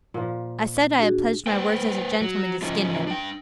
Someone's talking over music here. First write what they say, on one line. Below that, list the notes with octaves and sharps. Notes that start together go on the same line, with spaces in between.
'I said I had pledged my word as a gentleman to skin him.
A#2 F3
D4 F#4 G#4
B4 C5 G5
F#3
F3 C#4 D#4 F4
D4 G5